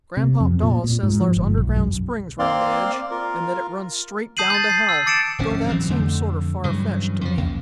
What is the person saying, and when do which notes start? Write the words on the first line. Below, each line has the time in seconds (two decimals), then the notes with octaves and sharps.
Granpop Dawes says thar's underground springs around the edge, and that it runs straight down to hell, though that seems sorter far-fetched to me.
0.17 C3
0.40 F2
0.63 A#2
0.84 A#2
1.03 G#2
1.21 F3
1.37 G1
1.57 B1
1.76 F#2
2.39 A#3 C4 D5 F5 C6
3.11 F4 A#4
4.37 A5 D#6 G6 C7 D#7 F#7
4.50 G6 A6
4.70 C7
4.89 E6
5.06 D6 A6 C#7 D7 E7
5.38 D1 G#1 F3 C#4
5.68 E3 F#3 C4
5.89 F2 D3 A3
6.64 G2 C#3 E3 F#3
7.21 F2 F3
7.38 B1 E2 C#3 A#3